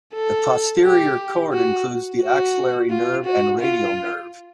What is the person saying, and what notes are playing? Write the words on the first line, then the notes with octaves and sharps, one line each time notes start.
The posterior cord includes the axillary nerve and radial nerve.
A4
G4
F#4
F#4
F4
F#4
F4